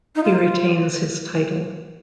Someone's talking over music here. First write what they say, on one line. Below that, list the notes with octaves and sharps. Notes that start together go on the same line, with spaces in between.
He retains his title.
D#4
F4